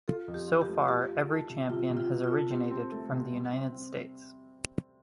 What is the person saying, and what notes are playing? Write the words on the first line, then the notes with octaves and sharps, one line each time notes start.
So far every Champion has originated from the United States.
F4 A4
F2
G4
F4
G4
A3
F4 G4
F4
A4
C3
C3 F4
C3
F4
C3
F4
A4
C4 G4
C4
A3
C3
G3
C4
C4